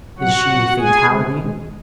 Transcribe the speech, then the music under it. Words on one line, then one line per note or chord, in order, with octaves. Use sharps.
Is she Fatality?
B2 F#3 F#4 F#5
A#2 F#3
B2 G#3 G#4 G#5
D3 G#3
B2 G#3